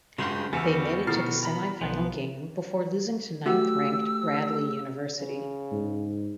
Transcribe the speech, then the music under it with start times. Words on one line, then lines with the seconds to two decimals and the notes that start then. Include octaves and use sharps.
They made it to the semifinal game before losing to ninth ranked Bradley University.
0.18 G2 C#3 G#3 F4 F#4 C5 F5
0.53 E2 C#3 B3 F#4 G4 G#5 E6
1.07 B2 D#3 A3 E4 A#4 F6 C7
1.43 A#5 B5
1.81 B1 F3 B3 F4
3.46 A3 F#4 G4 F#5 E6
5.17 C#3
5.72 G#2